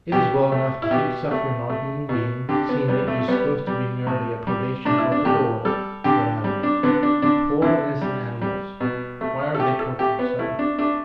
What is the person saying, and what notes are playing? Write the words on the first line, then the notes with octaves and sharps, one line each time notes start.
It is well enough to heap suffering on human beings, seeing it is supposed to be merely a probation for a better world, but animals--poor, innocent animals--why are they tortured so?
B2 G4
A3
E4
B2 G4
A3
A3
B2
D3 G4
B3
G3 B3
A3
A3
G3 B3
G3
A2
G3
A2 D4
E4
D4
A2 G4
G3 A4
D3 G4
G3
D4
D3 B3
D4
D3 D4
D3 E4
G3
G3
B2
A3
A4
A3 G4
A4
A3 G4
B3
A3 E4
D4
A3 D4